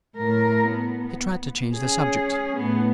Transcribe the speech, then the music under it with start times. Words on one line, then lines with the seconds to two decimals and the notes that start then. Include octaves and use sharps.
He tried to change the subject.
0.16 A2 A#4
0.68 B3
1.74 C#4 G#4
2.56 A2 B3